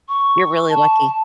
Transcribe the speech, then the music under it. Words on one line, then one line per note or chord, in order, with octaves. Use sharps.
You're really lucky.
C#6
A5